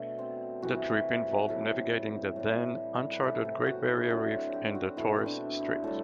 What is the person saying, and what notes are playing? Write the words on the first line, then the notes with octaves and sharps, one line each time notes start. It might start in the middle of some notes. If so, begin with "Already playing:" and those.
The trip involved navigating the then uncharted Great Barrier Reef and the Torres Straits.
Already playing: B2 A3 D4
C4
C3 E3 G3 F#4
A2 G3 A4
A2 G3
B4
C3 E3 A3 A4
G4
F#4
E4
A2 F#3 A3 D4
C4
G4
F#4
B2 A3 E4
C4
D4
A2 G3 A4